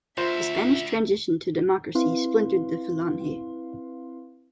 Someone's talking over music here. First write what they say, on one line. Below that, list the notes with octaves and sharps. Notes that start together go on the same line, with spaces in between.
The Spanish transition to democracy splintered the Falange.
D2 F4 C5 E5
C4 E4 B4 F5 C6